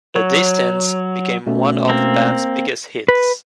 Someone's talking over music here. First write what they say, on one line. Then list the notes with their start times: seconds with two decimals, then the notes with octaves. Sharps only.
"The Distance" became one of the band's biggest hits.
0.16 F#3 C#5
1.46 B2 A3 C#4
1.89 A#3 C4
3.08 B4